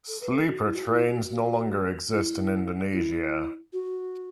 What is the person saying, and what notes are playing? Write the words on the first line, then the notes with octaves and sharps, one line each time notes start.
Sleeper trains no longer exist in Indonesia.
A4
B4
A4
F#4
E4
F#4
E4
F#4
F#4
E4
E4
F#4